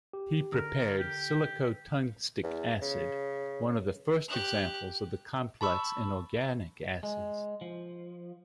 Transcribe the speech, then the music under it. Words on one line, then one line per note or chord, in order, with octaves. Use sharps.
He prepared silicotungstic acid, one of the first examples of the complex inorganic acids.
G4
D3 A#4
G4
E2
C#3
G4 F#6
A5 B5 C#6 E6
G#3
F3